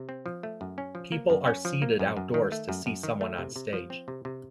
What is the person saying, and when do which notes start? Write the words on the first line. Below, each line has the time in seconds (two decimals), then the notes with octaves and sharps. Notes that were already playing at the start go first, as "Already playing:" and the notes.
People are seated outdoors to see someone on stage.
Already playing: C3
0.09 C4
0.26 F3
0.43 A3
0.61 F#2
0.78 C#4
0.95 F3
1.12 A#3
1.30 F#2
1.48 C#4
1.65 F3
1.82 A#3
1.99 F#2
2.17 F#2
2.34 D#3
2.52 A3
2.69 F#2
2.86 F#2
3.03 D#3
3.21 A3
3.38 C3
3.56 C3
3.73 F3
3.90 C4
4.08 C3
4.25 C3